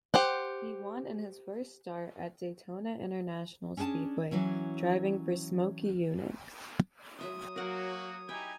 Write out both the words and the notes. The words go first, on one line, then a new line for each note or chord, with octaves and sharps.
He won in his first start, at Daytona International Speedway driving for Smokey Yunick.
G4 C5 F#5
C#4 D4 G#4 F#5 A5
E3 F#3 C#4 E4
F#3 E5 C6 D#6
F#3 A#3 F#4 A#4 C#5 F#5
D#4 E4 G4 G5 G#5 A#5